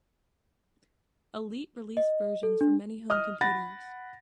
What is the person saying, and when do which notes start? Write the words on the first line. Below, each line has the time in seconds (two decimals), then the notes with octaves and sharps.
Elite released versions for many home computers.
1.97 D#5
2.43 A4
2.61 D4
3.10 D#5 D#6 F6
3.41 F#5 B5 A6 A#6